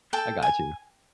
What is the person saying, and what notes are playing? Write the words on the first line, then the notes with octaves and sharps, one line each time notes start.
I gotchu."
A4 G5 A5
G#5